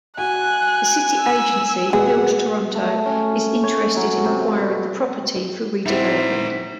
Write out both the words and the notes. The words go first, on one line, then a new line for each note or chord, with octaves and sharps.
The city agency Build Toronto is interested in acquiring the property for redevelopment.
F#4 G#5 F#6
E6
B2 G#3 G#4 B4 F#5
A3
C#4
C#5
F#3
C3
B2
C4 D#4 E4 F#5